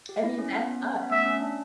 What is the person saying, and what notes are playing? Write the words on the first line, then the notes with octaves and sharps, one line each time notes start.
I mean, that's us.
G4
E4
C#4
B3
B3
C#4
B3
A3 E5
C#4
D4